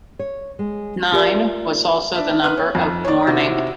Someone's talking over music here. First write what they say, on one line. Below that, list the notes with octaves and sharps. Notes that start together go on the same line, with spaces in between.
Nine was also the number of mourning.
C#5
G#3
F4 G4 A#4 B4 D5 E5
D4 E5
B4 F6 F#6
C#5
F2
C#5 D5
C3 E4 F#4